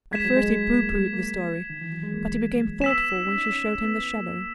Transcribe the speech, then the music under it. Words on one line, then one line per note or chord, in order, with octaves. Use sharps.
At first he pooh-poohed the story, but he became thoughtful when she showed him the shadow.
G#3 G#6 B6 E7
F#3
G#3
A#3
A#3
D#3
E3
F#3
G#3
A#3
B3 E6 B6 E7
D#4
C#4
D#4
C#4
B3
A#3